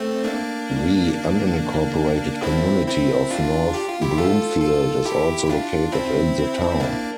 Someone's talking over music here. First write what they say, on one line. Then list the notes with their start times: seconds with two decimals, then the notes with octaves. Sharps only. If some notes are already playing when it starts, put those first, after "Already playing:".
The unincorporated community of North Bloomfield is also located in the town.
Already playing: A3 C4
0.24 A#3 D4
2.43 C4 E4
2.87 C4 E4
3.31 D4 F4
3.74 G4
3.88 F4
4.02 E4 G4
4.18 F4 A4
4.61 F4 A4
5.05 E4 G4
5.49 D4 F4
5.92 C4 E4
6.80 A#3 D4